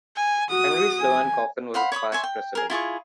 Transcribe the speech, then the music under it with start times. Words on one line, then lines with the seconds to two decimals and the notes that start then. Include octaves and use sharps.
Henry Sloane Coffin was a past president.
0.16 G#5
0.50 F#4 D#6
1.00 G#5
1.74 C5 F5 F#5 B5
1.92 C#5 B5 C#6 D#6
2.12 C#5 E5 G#5 C6
2.23 G5
2.55 G#4 A#4
2.70 E4 F4 G#4 C#6